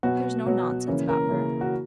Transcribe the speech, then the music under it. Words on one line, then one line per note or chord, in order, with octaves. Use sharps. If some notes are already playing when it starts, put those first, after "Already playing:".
"There is no nonsense about her."
B2 F#3 B3 F#4
B2 F#3 B3
C#3 E3 A#3 C#4
A#4
C#3 E3 A#3 C#4
F#4